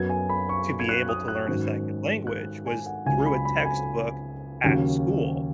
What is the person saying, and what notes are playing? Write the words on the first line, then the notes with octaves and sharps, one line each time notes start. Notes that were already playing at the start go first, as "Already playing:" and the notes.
to be able to learn a second language was through a textbook at school.
Already playing: F#2 F#3 B3 G#6
G#5
B5
C#6
G#6
F#6
D#6
F#6
G#2 D#3 F#3 C#4
F#6
G#5
F#5
C#2 C#3 F#3 G#5
B5
B5
B5
G#5
D#2 C#3 F#3 C#4